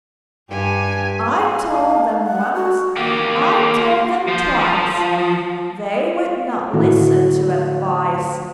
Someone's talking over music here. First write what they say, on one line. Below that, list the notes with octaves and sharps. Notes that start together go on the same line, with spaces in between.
I told them once, I told them twice: They would not listen to advice.
G2 G4 G#5
F5
F#5
F#4
A#3 G4
F3 C5
F3
A2 D3 E4 F#4